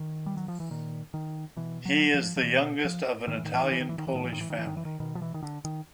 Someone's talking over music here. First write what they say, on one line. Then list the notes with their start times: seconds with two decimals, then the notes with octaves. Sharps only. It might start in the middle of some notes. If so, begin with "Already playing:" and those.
He is the youngest of an Italian-Polish family.
Already playing: D#3
0.26 G3
0.37 F#3
0.48 F3
0.60 E3
0.71 A#2 D#3
1.14 D#3
1.56 B2 E3
1.85 F#3
2.14 F3
2.36 F3
2.43 B2 E3
2.85 F3
3.28 A2 D#3
3.37 E3
3.45 D#3
3.54 E3
3.63 D#3
3.72 E3
3.80 D#3
3.89 E3
3.98 D#3
4.07 E3
4.13 A2 D#3
4.24 E3
4.33 D#3
4.41 E3
4.50 D#3
4.59 E3
4.67 D#3
4.77 E3
4.85 D#3
5.00 B2 D#3
5.15 F3
5.22 E3
5.34 D#3
5.43 D3
5.65 D#3